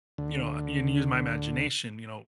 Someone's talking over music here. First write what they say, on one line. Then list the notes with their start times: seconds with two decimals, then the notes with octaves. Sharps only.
you know, and use my imagination, you know?
0.18 D2 D3